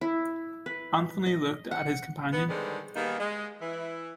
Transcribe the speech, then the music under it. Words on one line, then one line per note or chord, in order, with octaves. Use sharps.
Anthony looked at his companion.
E4
B4
D#5
F#5
B3
D3 D#3 G3 G#3 B4 C5
D#3 G3 A#3 B3 D#4 G#4
G#3
E3 E4